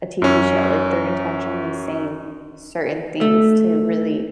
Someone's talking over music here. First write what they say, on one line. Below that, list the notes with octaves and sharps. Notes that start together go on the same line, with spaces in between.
a TV show, like, they're intentionally saying certain things to really
F#2 C#4
A3